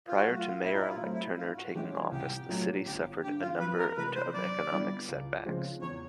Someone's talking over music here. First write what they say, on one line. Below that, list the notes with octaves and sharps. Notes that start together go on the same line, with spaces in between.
Prior to Mayor-Elect Turner taking office, the city suffered a number of economic setbacks.
F4
F#4
F#3 A3
F4
A#2 E4
D#4
E4
F4
F#3 A3 C4
E4
G#2 F4
F#4
E3 G#3 C#4 E4 G4
G#4
C2 G4
A#2 F#3 A3 C#4
G1 G4
G2 D3 G4
F4
F2 B4
A#4
C3 E3 G#3 B4
C5
F#2 D5
D3 G3 B3 E4
C#2
C#3 F3 G#3 C4
E2 C#5